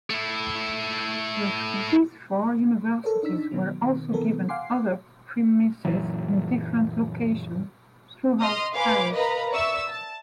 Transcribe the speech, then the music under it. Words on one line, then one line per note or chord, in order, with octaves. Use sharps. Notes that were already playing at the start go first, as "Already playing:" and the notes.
These four universities were also given other premises in different locations throughout Paris.
A3 E4
A4 A#4 C#5
D4 D#4 E6 B6
B2 D#3 F#3
B2 D#3
C3 E3 B3 A4 A#4
F5 F#5 G#5 C6 D6 C7
F#1 A#2 E3 F#3
D#5 C6 D#6 F6
B4 F5 G#5 B5 C6 D6
A#4 B4 D#5 F5 A#5 B5
D5 E5 C#6 E6
A5